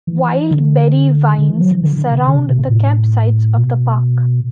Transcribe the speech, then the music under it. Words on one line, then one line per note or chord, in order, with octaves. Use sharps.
Wild berry vines surround the campsites of the park.
E3
D3
D3
E3
F#3
E3
D3
D3
C3
D3
C3
B2
C3
A2
B2